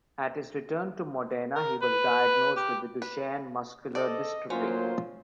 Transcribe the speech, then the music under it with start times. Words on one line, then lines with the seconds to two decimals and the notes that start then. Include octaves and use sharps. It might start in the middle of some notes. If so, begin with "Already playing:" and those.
At his return to Modena, he was diagnosed with Duchenne muscular dystrophy.
1.56 A#4
1.82 B4
2.57 G4
3.02 B4
3.95 A4 D5 D#5
4.50 D2 F#3 A#3 C#4 F4 C5